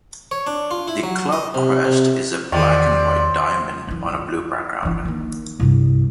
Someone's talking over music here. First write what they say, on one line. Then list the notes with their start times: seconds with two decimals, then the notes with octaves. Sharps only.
The club crest is a black and white diamond on a blue background.
0.31 C#5
0.47 D4
0.71 F4
0.88 E4
1.03 F#3
1.33 D#5
1.54 C3
1.85 C3
2.52 E2 C3 D#3 D5
3.87 F#2 E3
4.11 F2
4.83 G1 E3
5.05 D#3 A#3
5.60 C2 G2